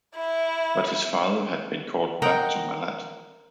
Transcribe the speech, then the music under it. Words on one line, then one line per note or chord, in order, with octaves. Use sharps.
But his father had been called back to Malat.
E4
A#4 D#5 F#5 G5